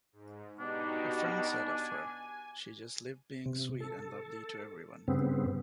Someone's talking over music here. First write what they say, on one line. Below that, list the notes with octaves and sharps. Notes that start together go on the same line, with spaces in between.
A friend said of her, She just lived being sweet and lovely to everyone.
G#2
B2 D4 D#4 F#4 G4
G#5
C3
A4
G2 C#3 B3 C4